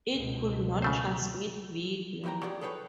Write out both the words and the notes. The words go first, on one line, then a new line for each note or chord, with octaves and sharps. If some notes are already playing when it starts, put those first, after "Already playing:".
It could not transmit video.
C#2 B2
C#3 A3 C5
D#2 E3 B4 G5 A#5
F#3 F4 G4 G#4 D5
G#4 A4 B4 C#5 F5 G5